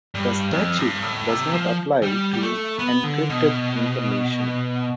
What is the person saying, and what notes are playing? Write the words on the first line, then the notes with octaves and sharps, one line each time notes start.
The statute does not apply to "encrypted" information.
G2
F2
G2
A2
C3
F3
G3
G3
A3
B3
D3
B2